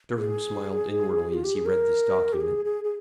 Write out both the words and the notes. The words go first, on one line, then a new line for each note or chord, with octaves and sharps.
Durham smiled inwardly as he read this document.
G#4
F4
G4
G#4
A#4
G4
G#4
G#4
G#4